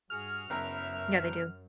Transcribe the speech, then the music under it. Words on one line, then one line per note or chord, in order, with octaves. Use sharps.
Yeah they do.
G2 F#4 G#4 F6
F#1 F#2 B3 A#4 E5